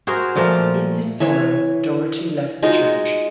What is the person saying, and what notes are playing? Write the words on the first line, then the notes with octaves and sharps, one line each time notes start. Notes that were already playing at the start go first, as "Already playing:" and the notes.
In his sorrow, Doherty left the Church.
F#4 G#4 A#4 C5
A#2 F3 A3 A#4
E3 C#5
G#3 D#4 F4 F#4